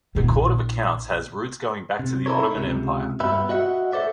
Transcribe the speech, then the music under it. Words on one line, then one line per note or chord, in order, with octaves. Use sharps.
The Court of Accounts has roots going back to the Ottoman Empire.
A#1 E4
C3
D#4 E4 A4 A#4 C#5
C#2 C3
G2 B3 G4 B4 E5
F#4 D#5 E5 F#5
A4 C5 D5 E5